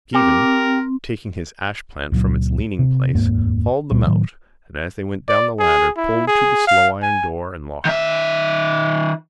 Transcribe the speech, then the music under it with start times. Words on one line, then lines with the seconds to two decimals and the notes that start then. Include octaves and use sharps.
Stephen, taking his ashplant from its leaningplace, followed them out and, as they went down the ladder, pulled to the slow iron door and locked it.
0.14 C4 G4 A#4
2.12 C#2 A#2 F#3
2.79 C3
3.13 F1 D#2 G#2 A#3
3.91 C#2 A#2 G3
4.07 A2 D#3 F#3
5.28 D5
5.59 G#4
5.97 E4
6.27 G#4
6.67 F5
7.02 G#5
7.85 D#3 E5